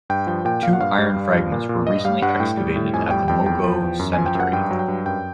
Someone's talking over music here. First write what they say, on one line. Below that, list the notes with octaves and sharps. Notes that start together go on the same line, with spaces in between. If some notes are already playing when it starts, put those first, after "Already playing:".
Two iron fragments were recently excavated at the Mogou cemetery.
G2 G5
F3 G5
A#2 G5
A#2 F5
F#5
G2 F5
G3
G2
F3
A#2
A#2
G2 D#5
G3 F5
G2 F#5
A2 G5
G3
A2
F2 G#5
G3 G5
F2 G5
E2 G5
F3
E2
F#2
F3 G#5
G5
F#2
F#5
G2 G5
F#3
G5
G2
F#2 G5